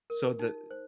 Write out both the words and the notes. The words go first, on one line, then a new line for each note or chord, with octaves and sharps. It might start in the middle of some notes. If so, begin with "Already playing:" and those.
so the
A#4
D#4
C5